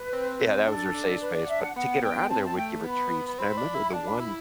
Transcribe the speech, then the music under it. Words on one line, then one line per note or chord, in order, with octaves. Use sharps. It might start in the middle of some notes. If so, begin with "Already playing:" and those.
Yeah, that was her safe space, but to get her out of there, we'd give her treats, and I remember the one
Already playing: B4
C4
C4
D4 A4
D4
B4
D5
F#5
E5
F#5
B3 F#5
G5
C4 A5
A5
A3 G5
B3 B5
B3
C4 B5
D4
E4
D4 A5
B5
E4 B5